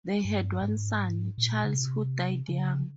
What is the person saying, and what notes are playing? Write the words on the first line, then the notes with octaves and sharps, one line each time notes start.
They had one son, Charles, who died young.
G2
G#2
A#2
C#3
C3
C#3